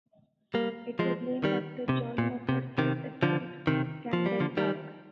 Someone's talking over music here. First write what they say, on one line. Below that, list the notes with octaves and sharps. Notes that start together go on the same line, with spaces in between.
It was named after John Macarthur's estate "Camden Park".
G3 A#3
F3 G#3
D#3 G3
C3
A#2
C3
C3 D#3
D3 F3
C3 D#3
F3
G3
D3 F3
D#3 G3